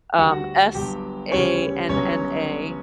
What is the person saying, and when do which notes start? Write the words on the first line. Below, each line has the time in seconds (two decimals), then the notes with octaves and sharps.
um, S-A-N-N-A
0.18 D2 D3 G3 F#4 F#5
0.32 F#4 F#5
0.74 G1 G2 F#3 G4 G5
1.32 D2 C#3 E3 G3 C#4 C#5
1.89 G1 G2 F#3 C#4 C#5